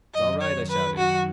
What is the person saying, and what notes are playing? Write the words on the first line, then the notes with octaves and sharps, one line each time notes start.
"It's all right," I shouted.
F#2 D#3 F#3 D#5
C#5
B4
F#4